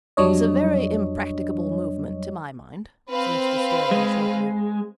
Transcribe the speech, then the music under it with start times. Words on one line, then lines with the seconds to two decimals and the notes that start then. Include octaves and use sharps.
"It's a very impracticable movement, to my mind," said Mr. Sterling shortly.
0.17 F2 F#3 G3 D4 C#5 D#5
3.10 C4 B4 F5
3.91 G#3